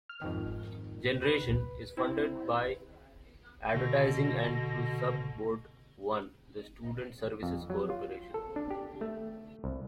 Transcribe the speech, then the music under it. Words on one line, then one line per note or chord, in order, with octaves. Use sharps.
"Generation" is funded by advertising and through Sub-Board I, the student services corporation.
F6
F2 G#2 D#3
B4
C4 E4
B2 D3 A#6
F2
F#3
F4
A4
D4
G4
A3
C2